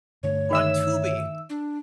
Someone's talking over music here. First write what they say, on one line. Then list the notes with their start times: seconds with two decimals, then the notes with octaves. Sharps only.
on Tubi
0.23 G2 D3 A3 C#5
0.51 D#3 E5 E6
1.50 D4